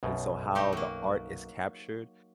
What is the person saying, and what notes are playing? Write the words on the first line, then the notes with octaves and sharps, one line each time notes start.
and so how the art is captured,
B1 F#2 B2
A3 D#4 G4
F#3 A#3